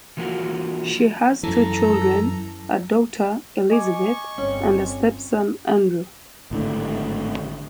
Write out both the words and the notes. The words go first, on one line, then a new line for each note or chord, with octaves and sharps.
She has two children, a daughter, Elizabeth, and a stepson Andrew.
E3 F3 A#3 F#4
F#2 E3 A4 A#5
D#5 G#5 C#6 D6
G1 C4 C#4
G#1 A2 D3